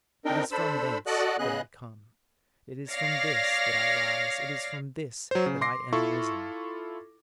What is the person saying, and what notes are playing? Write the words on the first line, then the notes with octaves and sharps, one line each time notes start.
It is from thence that I come; it is from this that I rise; it is from this that I am risen.
C4 D4 D#4 A#4 G5
D4 A4 C5 B5 E6
F#4 A4 D5 D#5 F#5 F#6
C#3 B3 G#4 D#5 F#6
C#5 D5 F5 A#6
F#3 C5
C#3
C6 D6 A#6 C7
E4 F4 A4 C#6